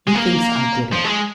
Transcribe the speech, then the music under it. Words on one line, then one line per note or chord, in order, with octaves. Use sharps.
He thinks I did it.
G#3
A#3
F3
G#3